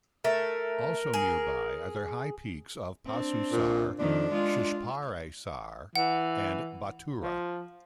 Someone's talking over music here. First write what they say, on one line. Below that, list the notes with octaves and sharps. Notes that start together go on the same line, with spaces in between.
Also nearby are the high peaks of Pasu Sar, Shispare Sar, and Batura.
A3 A#4
G#4
C4 D4
A#2
F2 D#3 D4
G#3 F4
E3 F#5
F3